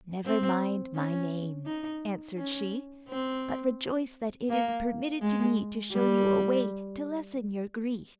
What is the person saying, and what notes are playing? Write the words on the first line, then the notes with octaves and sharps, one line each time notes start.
'Never mind my name,' answered she, 'but rejoice that it is permitted to me to show you a way to lessen your grief.
C4
C#4
D#4
C#4
C4
A#3
G#3
G3